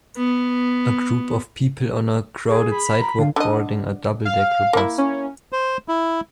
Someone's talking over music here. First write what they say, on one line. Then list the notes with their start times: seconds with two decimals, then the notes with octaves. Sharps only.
A group of people on a crowded sidewalk boarding a doubledecker bus.
0.17 B3
2.47 G#4
2.71 B5
3.01 A#5
3.19 D3 F5
3.36 D3 D#5
4.25 F5
4.73 A#3 E4
4.98 C#4
5.52 C5
5.88 E4